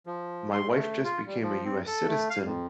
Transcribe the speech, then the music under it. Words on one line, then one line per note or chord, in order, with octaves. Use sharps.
My wife just became a US citizen,
F3
C6
A3
F4
G3
F3
C4
A4
A3
F5
F2